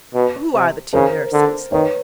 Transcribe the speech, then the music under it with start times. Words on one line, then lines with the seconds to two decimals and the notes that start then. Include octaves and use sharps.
'Who are the two nurses?'
0.14 B2
0.54 C3
0.93 C#3 A#4 C5
1.33 D3
1.72 D#3 B4 C#5